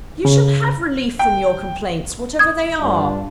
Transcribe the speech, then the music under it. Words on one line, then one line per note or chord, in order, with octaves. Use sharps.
You shall have relief from your complaints, whatever they are.'
C#3
G5
D#6 G#6
G2 D4 F4